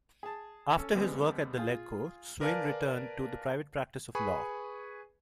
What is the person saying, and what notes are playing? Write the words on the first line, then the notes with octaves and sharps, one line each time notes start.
After his work at the Legco, Swaine return to the private practice of law.
G#4 A5
C#4 A4
D#2 D3 G3 G#3 B3 C4
F4 G#4
A#4 B4 D5 F5 G#5 A5
G#4 B4 G#5 B5 C#6